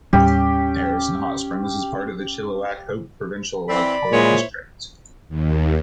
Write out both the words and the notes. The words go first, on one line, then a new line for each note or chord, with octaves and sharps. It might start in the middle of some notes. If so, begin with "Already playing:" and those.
Harrison Hot Springs is part of the Chilliwack-Hope provincial electoral district.
D#2 A2 G3 C#4 G4
E3 C4 D5 B5
A#2 G#3 E4 C5 C#5
D#2